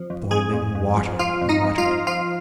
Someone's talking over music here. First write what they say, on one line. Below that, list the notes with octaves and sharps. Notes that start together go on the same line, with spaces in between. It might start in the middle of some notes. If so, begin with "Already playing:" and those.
"Boiling water!" he muttered.
Already playing: F2 F3
F2
F2 G#4 G#5
F2
F2
F3
F3 F4 F5
F2
D#4 D#5
F2
F4 F5
F3
F3 F4 F5